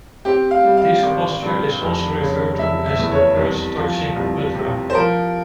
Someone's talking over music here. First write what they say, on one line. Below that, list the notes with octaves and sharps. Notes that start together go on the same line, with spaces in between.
This posture is also referred to as the 'earth-touching' mudra.
C4 G4
F5
G3
F5
G#1
G2
F1
C#3
F1 E5
E5
E2
C#5
C2
F3
C2
C3
C5
F3 A#4